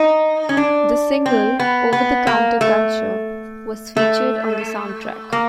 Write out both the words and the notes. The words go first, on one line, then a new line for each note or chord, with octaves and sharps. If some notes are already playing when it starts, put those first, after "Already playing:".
The single "Over the Counter Culture" was featured on the soundtrack.
Already playing: D#4
C#4
D4
C4
B3
B3
A#3
A3
A3
A#3